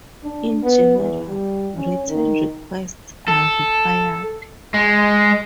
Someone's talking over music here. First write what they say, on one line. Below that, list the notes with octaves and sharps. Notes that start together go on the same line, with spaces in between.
In general, written requests are required.
D4
B3
E2
G3
C#4
D#3
A4
G#3